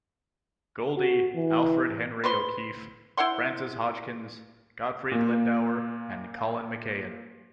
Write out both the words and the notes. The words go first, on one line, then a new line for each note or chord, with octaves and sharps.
Goldie, Alfred Henry O'Keeffe, Frances Hodgkins, Gottfried Lindauer and Colin McCahon.
F#4
E3
B4 C5 C6
E4 C5 F#5 C6
A#2 A#3